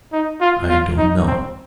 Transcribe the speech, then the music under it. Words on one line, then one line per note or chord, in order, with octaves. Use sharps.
I don't know....
D#4
F4
F4
D#4
C4